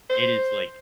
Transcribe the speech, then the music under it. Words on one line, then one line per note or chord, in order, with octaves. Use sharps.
it is, like,
C5